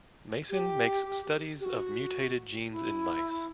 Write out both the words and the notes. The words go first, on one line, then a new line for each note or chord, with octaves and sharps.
Mason makes studies of mutated genes in mice.
G4
G4
F#4
E4